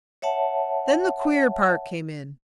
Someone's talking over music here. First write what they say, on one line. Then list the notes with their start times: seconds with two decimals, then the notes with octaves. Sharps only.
Then the queer part came in.
0.22 C#5 E5 F#5 A5